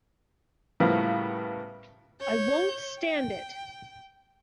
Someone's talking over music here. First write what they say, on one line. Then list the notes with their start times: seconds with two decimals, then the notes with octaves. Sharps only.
I won't stand it!
0.80 A2 C#3 F3 G3 A#3 B3
2.21 C#5 G6
2.99 G5